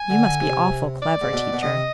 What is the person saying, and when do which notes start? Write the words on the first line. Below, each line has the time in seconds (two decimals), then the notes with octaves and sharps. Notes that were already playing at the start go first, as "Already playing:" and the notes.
You must be awful clever, teacher.'
Already playing: G#5
0.10 D3
0.40 C3
1.02 D5
1.21 G#2
1.33 B2
1.53 B2
1.63 C3 D#5